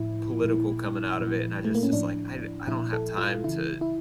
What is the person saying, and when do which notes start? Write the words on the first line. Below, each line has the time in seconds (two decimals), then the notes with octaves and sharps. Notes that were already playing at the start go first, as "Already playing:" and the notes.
political coming out of it, and I just it's like, I I don't have time to
Already playing: A2 F3 E4
0.41 A#2 F3
1.17 A#2 F3
1.65 A3
1.75 A#3
1.83 C#4
1.92 A2 F3 D4
2.67 A#2 F3 E4
2.93 A4
3.18 F4
3.44 C#3 E3 E4
3.81 E4